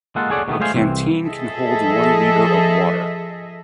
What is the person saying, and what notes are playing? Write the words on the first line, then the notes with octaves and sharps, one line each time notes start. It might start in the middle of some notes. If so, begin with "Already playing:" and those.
The canteen can hold one liter of water.
G#3 A#3 F4 A4 F#5
G#4 A4 C#5 D5 F#5
B2 D#3 A3 B3
G#3 A3 F4 C5 F5 G#5
C2 E3 C4
F3 G#4 A4 D#5 E5